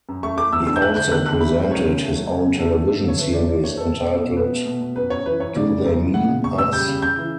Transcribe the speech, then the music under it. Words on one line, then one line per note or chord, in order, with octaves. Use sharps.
He also presented his own television series entitled Do They Mean Us?
F#2
A3 C#6
A3 D6
E2 E6
D4 E6
G6
A3 F#6
D3 G6
D3 F#6
D4 F#6
A3 B5
F#3
C#2 C#5
C#3
A3
F#3
C#3
C#3
A3 A4
G2
G2
D3 C#5
A3 B4
C#4 D5
C#4 D5
A3 C#5
A3 A4
B2
C#4
B2
B2 B4
A3
B2
B2
F#2 B4
F#2 C#5
E3 B4
F#2 C#5
C#3 D5
C#3
F#2
E3
C#3 F#5
C#3
C#3 C#6
C#3 E6
G3 G6
C#3
C#3 G6
E3